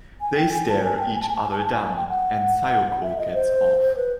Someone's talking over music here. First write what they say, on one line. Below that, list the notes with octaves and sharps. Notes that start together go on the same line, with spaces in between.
They stare each other down and Sayoko gets off.
G#5
G5
G#5
A5
G#5
G5
G#5
A5
G#5
A5
G#5
A5
G#5
A5
G#5
G5
F#5
E5
D#5
C5
B4